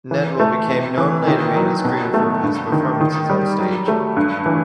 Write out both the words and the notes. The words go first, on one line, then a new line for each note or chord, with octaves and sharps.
Nedwell became known later in his career for his performances on stage.
E3
A3
C3
E3
D#3
F#3
B2
A3
G2
D#3
D#3
G3
F#3
A3
G2
E3